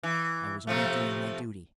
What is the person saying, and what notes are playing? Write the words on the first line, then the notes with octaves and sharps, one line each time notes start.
I was only doing my duty.
E3
C3 F3 A3